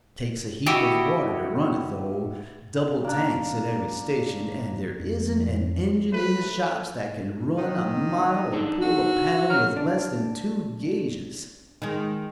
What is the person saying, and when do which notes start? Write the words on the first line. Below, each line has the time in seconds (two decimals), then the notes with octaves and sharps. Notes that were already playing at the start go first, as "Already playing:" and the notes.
Takes a heap of water to run it, though; double tanks at every station, and there isn't an engine in the shops that can run a mile or pull a pound with less than two gauges.
0.66 E4 F#4 G4 D#5
3.04 A#3 D4
5.00 F2
6.12 A3 B4
7.58 D#3
8.53 D4 D#4 A4
8.82 F#4
9.50 C#5 A#5 F6
9.77 D4
11.82 D#3 G#3